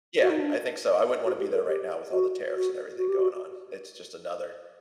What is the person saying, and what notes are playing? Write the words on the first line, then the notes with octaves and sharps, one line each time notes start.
Yeah, I think so. I wouldn't want to be there right now with all the tariffs and everything going on. It's just another,
F#4
D#4
D4
F#4
G4
A4
G4
F#4
F#4
F#4
G4
F#4